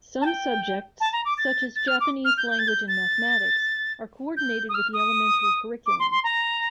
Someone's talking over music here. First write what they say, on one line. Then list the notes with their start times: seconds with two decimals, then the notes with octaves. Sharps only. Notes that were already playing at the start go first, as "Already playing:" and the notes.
Some subjects, such as Japanese language and mathematics, are coordinated with the elementary curriculum.
0.21 A5
0.26 G5
1.00 A5
1.13 A#5
1.25 D6
1.38 A6
1.76 A6
1.88 F6
2.01 D6
2.25 F6
2.37 G6
2.50 G6
2.59 A6
2.68 G6
2.88 A6
4.37 G6
4.69 D#6
4.74 F6
4.94 D#6
5.86 D6
6.00 C6
6.11 C6
6.24 A#5